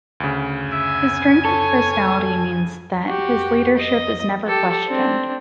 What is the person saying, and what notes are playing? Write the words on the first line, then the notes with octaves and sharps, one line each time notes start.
His strength of personality means that his leadership is never questioned.
D2 C#3
E5 G#5
A4 C#5
F#4 G4
D#5
G4 A4
C4 D4